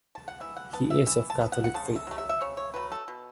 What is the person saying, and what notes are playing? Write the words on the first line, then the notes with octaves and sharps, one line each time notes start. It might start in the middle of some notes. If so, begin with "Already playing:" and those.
He is of Catholic faith.
A5
F#5
E3 E5
F#5
B3 A5
E5
E3 E5
A5
B3
F#5
F#5
C#3 A5
E5
F#3 A3
E5
E5
C#3 C#5
C#5
F#3 A3 B4
A4
B2